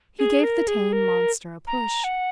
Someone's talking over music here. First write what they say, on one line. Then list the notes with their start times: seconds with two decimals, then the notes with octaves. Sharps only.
He gave the tame monster a push.
0.19 G#4
0.43 A#4
0.67 G#4
0.92 A#4
1.67 A#5
2.04 F#5